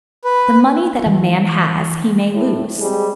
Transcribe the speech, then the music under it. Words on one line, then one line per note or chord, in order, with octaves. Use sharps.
The money that a man has he may lose.
B4
E3
A2
G3 G#3 C4 G#4